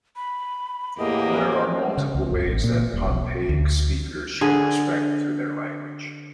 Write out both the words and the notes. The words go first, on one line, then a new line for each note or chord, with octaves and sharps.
There are multiple ways that Pohnpeic speakers show respect through their language.
B5
E2 A2 A#3 G4 D#5
C#3
C#2
F#1
A1
A#2
D#1
B1
D2
D3 G#4